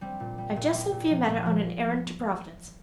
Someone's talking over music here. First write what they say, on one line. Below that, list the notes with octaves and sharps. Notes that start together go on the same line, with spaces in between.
I have just sent Fiametta on an errand to Providence.
G3 C4
A#2
G3
A#2
G3
A#2
F3
A#2
F3